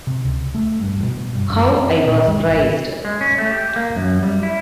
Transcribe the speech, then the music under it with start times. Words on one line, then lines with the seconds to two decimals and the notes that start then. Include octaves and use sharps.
How I was praised!
0.07 C3
0.24 C#2
0.55 A3
0.81 G2
1.03 B2
1.35 G2
1.50 F#2
1.79 C4
2.06 A#2
2.28 G#3
2.46 G#1
3.05 G#3
3.21 C#4
3.38 A3
3.51 G4
3.76 A#3
3.96 F#2
4.23 G3
4.43 E4